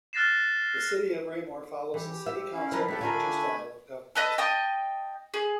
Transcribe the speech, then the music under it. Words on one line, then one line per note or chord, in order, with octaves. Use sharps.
The City of Raymore follows a City Council-Manager style of government.
F6 F#6 A6 A#6 C7 E7
E3 G4
E5
C#4 E4 F5
F3 A#4 B4
A3 E4 G4 A4 B4
D3 A3 D4 F4 A#4 G#5 B5
A4 B4 D#5
D#5 G5 A5 D#6
G#4